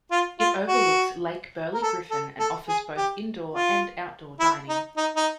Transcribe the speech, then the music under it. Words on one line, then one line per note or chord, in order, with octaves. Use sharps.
It overlooks Lake Burley Griffin and offers both indoor and outdoor dining.
F4
F4
F#4
A#4
A4
A4
A4
G#4
G4
F4
E4
D#4
D#4
D#4